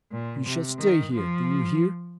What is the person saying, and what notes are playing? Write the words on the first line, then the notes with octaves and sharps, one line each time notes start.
You shall stay here, do you hear?
A#2
C3
D#3
F3